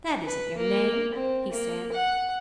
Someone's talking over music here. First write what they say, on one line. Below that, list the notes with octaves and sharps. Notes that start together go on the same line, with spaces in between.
"That isn't your name," he said.
B4
A#3
C4
A#3
F#5